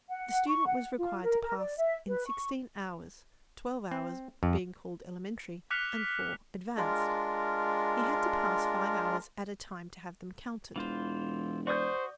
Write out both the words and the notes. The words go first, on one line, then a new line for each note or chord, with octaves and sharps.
The student was required to pass in sixteen hours--twelve hours being called elementary and four advanced. He had to pass five hours at a time to have them counted.
F#5
C#6
F#5
F4
A#4
A#4
D5
E5
B4
C#6
C4
F2
D6 F6 F#6 B6 C#7 F7
G#3 D4 F4 A#4
E1 E3 F4 C5
F#4 C5 D5 C#6 D#6 G6